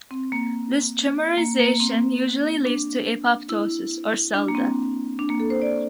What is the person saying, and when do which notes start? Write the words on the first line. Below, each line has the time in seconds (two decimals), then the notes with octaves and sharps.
This trimerization usually leads to apoptosis, or cell death.
0.11 C4
0.32 A#3
1.37 A#3
1.60 A#3
1.80 C4
2.65 D4
3.49 E4
4.34 D4
4.48 A#3
4.55 C4
5.19 D4
5.30 A#3
5.40 A4
5.50 C5
5.62 D5